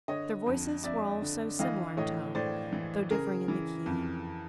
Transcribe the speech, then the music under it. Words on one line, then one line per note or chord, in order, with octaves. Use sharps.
Their voices were also similar in tone, though differing in the key.
D3 C#5 D#5
F2
F2 D5 E5
D3
E3 D#5 F5
A2 C#5 D#5
A2 C5 D5
E3
C#3 G#4 A#4
E3
F2